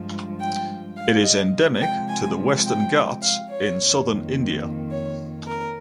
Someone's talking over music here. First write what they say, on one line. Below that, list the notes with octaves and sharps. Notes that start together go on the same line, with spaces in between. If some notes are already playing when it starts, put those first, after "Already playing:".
It is endemic to the Western Ghats in southern India.
Already playing: G2 F3 G#3
G5
F5
D#5
C3 F3 G#3
G5
G#5
G5
F5
C#5
F2 D#3 A#3
C#5
A#4